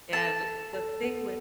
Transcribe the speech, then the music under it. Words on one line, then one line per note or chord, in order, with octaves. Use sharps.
and the thing with
A4 A5
A4
A4
B3